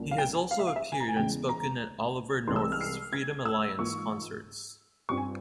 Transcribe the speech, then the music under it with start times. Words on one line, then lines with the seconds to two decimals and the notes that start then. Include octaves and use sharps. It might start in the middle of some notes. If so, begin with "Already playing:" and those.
He has also appeared and spoken at Oliver North's "Freedom Alliance" concerts.
Already playing: C2 A#2 F3 A#3 C#4
0.11 F5
0.18 G5
0.35 G#5
0.51 F5
0.59 E5
0.67 F5
0.76 E5
0.92 G#5
1.00 A#5
1.08 G#5
1.17 E2 C#3 E3 G#3 G5
1.49 A#5
2.47 C2 C3 E3 G#3 C6
2.56 E6
2.72 F6
2.81 C7
3.13 G#6
3.45 E6
3.78 G#2 E3 A#3 F4 C#6
5.09 G2 G3 C4 F4 C#6
5.17 G#5